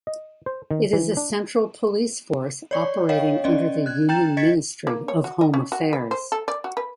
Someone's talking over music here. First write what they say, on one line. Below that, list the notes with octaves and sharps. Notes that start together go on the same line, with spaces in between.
It is a central police force operating under the Union Ministry of Home Affairs.
D#5
C5
D#3
E3
D4
C#5 D5 C#6
C#5 D#5 F5 G5
C#4 D5 D#5
F#6 G#6
G5 A#5 G6 A6 E7
D#5 G#6 A6 B6 C#7
A#3
C#5
F#4
D#5
C#4
F#4
B4
C5
A4
D5
F#4
B4